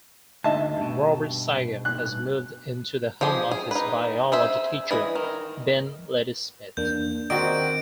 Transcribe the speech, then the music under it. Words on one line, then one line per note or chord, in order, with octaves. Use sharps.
Robert Cigar has moved into the home of his biology teacher, Ben Ladysmith.
D2 D#5 E5 A5
G2 B2
F#6
F3 G4 G#4
G#4
D#4 B4
G#4 C5 E5
E3 G#4 D#5
D#3
E2 A#3 D4 G6
D#3 C4 F#4 D5 D#5 D6 D7